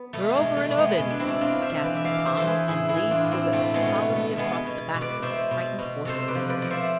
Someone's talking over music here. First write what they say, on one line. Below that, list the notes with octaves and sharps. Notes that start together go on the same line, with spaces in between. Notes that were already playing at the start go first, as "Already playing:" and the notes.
"We're over an oven!" gasped Tom, and laid the whip solidly across the backs of the frightened horses.
Already playing: B3
B2 A3
A3
G#3
B2
A3
B2
G#3 B3
B2 G#3
D4
C4 E4
B2
D4 F4
B2
C5 E5
E3 B4 D5
E5
D5 F5
E3
C5 E5
E3 A4
G#4 B4
A2 E4 G#4
E4 G#4
E3
D4 F4
A2
C4 E4
B2 A3 C4
G#3 B3
B2
B3
A3
B2
A3
B2 G#3 B3
B2
B2
B4 D5
B2 C5 E5
B2
B2
C3 A4 C5
B4 D5
F3
B4 D5
F3 D5
C5 E5